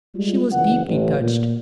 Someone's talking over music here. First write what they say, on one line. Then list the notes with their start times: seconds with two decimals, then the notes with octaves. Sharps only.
She was deeply touched.
0.15 G3 G#3 F4
0.51 F#1 E3 F#5
0.87 A1
1.21 A#2